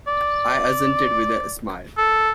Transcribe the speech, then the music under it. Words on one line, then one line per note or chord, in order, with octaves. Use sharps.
I assented with a smile.
D5
A4